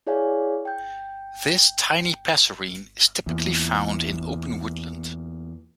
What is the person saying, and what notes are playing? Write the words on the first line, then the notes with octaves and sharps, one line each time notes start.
This tiny passerine is typically found in open woodland.
E4 G#4 C#5 D5 F5 G#5
G5 G6
E2 A#2